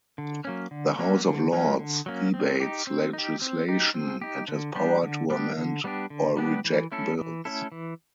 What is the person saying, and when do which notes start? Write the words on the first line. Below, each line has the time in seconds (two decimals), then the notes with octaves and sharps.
The House of Lords debates legislation, and has power to amend or reject bills.
0.18 D3
0.45 F#3 A#3 C#4
0.71 D3
0.99 F#3 A#3 C#4
1.25 D3
1.52 F#3 A#3 C#4
1.79 D3
2.06 F#3 A#3 C#4
2.34 C4
2.60 D#4 G4
2.87 C4
3.13 D#4 G4
3.42 C4
3.68 D#4 G4
3.94 C4
4.22 D#4 G4
4.48 D3
4.75 G3 B3 D4 G4
5.02 D3
5.30 G3 B3 D4 G4
5.57 D3
5.84 G3 B3 D4 G4
6.10 D3
6.37 G3 B3 D4 G4
6.65 E3
6.92 A3 C#4 E4 A4
7.19 E3
7.45 A3 C#4 E4 A4
7.72 E3